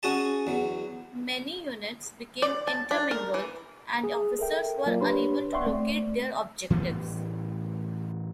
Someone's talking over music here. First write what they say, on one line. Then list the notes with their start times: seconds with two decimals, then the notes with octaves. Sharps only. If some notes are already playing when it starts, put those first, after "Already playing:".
Many units became intermingled and officers were unable to locate their objectives.
0.03 C#4 F#4 G#4 D#5 A5
0.47 E2 F#3
2.42 D5
2.67 A5
2.91 D4
3.11 A#4
3.34 E3
4.04 G#4
4.39 A4 A#4 E5 G5
4.86 F#3 A#3 F4 A#4 D5 F5
5.01 D4 G4 B4 C#5 B5 C6
5.53 D5 E5 F#5 G5 C6 C#6
5.67 A3 C4 D5
6.70 A2 E3 G3 B3